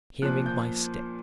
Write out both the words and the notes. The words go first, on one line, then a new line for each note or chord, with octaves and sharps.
Hearing my step!
A#2 F3 F#6
G6